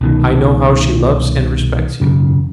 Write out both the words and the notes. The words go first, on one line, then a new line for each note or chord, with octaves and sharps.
I know how she loves and respects you.
C2 B2 D#3
E1 F#2 C#3